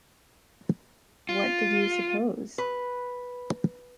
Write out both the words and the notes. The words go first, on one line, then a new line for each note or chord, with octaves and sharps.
What did you suppose?
F4
B4